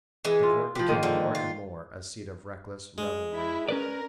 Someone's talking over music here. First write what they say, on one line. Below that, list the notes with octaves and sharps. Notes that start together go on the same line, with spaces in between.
The court became more and more a seat of reckless revelry.
E3 G#3
F4
F3 G4 B4
D#3 G#3 A#3
D3 F3
F4
G#3
E4
C#4 A#4 B4 D5